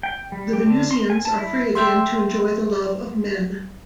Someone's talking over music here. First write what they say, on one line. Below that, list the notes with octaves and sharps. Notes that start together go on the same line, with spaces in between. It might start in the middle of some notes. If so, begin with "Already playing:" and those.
The Venusians are free again to enjoy the love of men.
G5
G3
G4
D3
C6
G#5
A5
E4
A4 E5 G5 C6